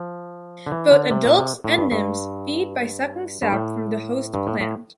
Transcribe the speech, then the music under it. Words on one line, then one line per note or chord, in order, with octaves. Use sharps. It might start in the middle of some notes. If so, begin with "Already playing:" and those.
Both adults and nymphs feed by sucking sap from the host plant.
Already playing: F3
D3
E3
D3
C3
A#2
C3
A2
G2
G2
G2
A2
G2
A2
A2